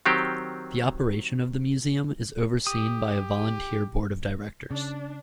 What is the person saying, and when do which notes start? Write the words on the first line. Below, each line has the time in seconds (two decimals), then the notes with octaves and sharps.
The operation of the museum is overseen by a volunteer board of directors.
0.06 D#3 F#3 C4 G4
2.67 G4 D#6
4.71 C#3 D4